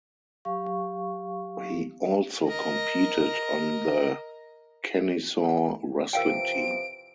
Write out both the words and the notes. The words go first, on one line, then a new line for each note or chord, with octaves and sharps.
He also competed on the Kennesaw wrestling team.
F#3 G4 F5 C#6
A#4 D#5
C3 E3 F3 A#4 F5 G5 D7